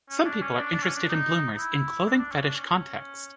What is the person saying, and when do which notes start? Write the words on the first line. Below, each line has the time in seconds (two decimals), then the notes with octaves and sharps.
Some people are interested in bloomers in clothing fetish context.
0.09 C#4
0.26 D4
0.42 C#4
0.60 D4
0.72 D4
0.83 C#4
0.96 D4
1.09 D#4
1.51 D#4
1.57 E4
2.07 D4
2.19 D4
2.31 C#4
2.43 D4
2.55 C#4